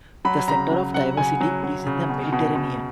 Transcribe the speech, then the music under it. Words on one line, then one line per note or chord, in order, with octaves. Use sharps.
The center of diversity is in the Mediterranean.
F#3 B5
C#3 A#5
F#3
F#3 F#5
C#3 G#5
F#3
F#3
C#3
B2
B2
B2